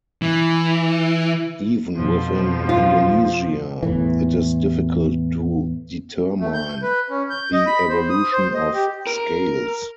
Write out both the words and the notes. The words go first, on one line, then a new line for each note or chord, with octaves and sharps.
Even within Indonesia it is difficult to determine the evolution of scales.
E3
F2 B2 F3
F4
E2 A2 E3
A3
G6
B4
C#4
G6
D#5
B5
C5
D#6
C5
D#5
G4
A#4